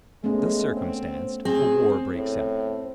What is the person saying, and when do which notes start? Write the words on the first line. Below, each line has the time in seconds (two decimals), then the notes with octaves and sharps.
Thus circumstanced, a war breaks out.
0.24 G#3 A3 B3 C#4
0.76 C4
1.45 C4 G#4
2.15 A2